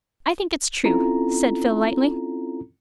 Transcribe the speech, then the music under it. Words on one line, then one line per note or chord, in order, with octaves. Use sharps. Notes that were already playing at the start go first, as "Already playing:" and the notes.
"I think it's true," said Phil lightly.
C4 C#4 E4 F4 A4 A#5